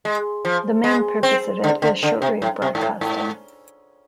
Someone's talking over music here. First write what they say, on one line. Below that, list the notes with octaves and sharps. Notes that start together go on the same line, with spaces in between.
The main purpose of it is shortwave broadcasting.
G#3
F3
G#3
C4
D3
D3
D3
C3
A2
C3
G#2
A2
G#2